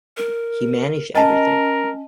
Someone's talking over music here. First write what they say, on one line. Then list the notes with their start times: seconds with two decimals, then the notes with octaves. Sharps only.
He managed everything.
0.17 A#4
1.15 C#4 A#4 D#5 A5